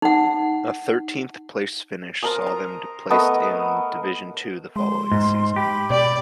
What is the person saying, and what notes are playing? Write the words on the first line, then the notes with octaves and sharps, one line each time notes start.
A thirteenth-place finish saw them placed in Division Two the following season.
D#4 F#5
A#4 C5 A5 D#6
A#5
A3 B3 A#4 D#5
G#3 C6
G#2
G4 B5
B2 D5